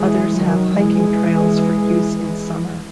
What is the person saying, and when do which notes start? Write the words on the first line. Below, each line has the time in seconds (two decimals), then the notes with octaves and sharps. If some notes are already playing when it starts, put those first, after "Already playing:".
Others have hiking trails for use in summer.
Already playing: E3 G#3
0.34 D#3 F#3
0.75 E3 G#3